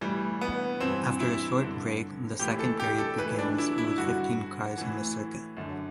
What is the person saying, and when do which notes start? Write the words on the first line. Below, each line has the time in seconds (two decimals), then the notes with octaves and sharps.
After a short break, the second period begins, with fifteen cars on the circuit.
0.01 A2 E3 G3
0.41 B3
0.80 G2 E3 C4
1.20 E4
1.60 G2 D3
2.39 A2 E3 G4
2.59 A4
2.80 G4
2.98 A4
3.18 A2 E3 B4
3.39 D4
3.58 E4
3.78 E4
3.98 G2 D3 F#4
4.78 A2 E3
5.57 F#2 D3